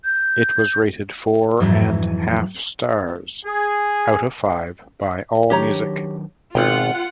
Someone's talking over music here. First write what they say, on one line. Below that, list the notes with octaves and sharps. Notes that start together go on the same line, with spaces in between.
It was rated four and half stars, out of five, by AllMusic.
G6
F2 G#2 E3 F#3
G#4
D#3 F#3 D4 G4 C#5 A#5
G#1 B2 F4 F#5 G5